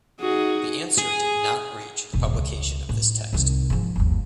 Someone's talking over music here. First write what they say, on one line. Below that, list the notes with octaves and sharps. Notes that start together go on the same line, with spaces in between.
The answer did not reach the publication of this text.
D#4 F#4 G#4
G#4
E1 A1
C#2
A2
C2 D#3
G#2 F3
G1 D#2